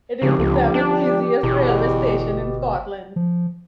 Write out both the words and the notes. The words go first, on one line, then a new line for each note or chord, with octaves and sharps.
It is the seventh busiest railway station in Scotland.
G#1 C#3 F3 G4
G1 C#2 F3
G1 D4
G1 E2 B2
F3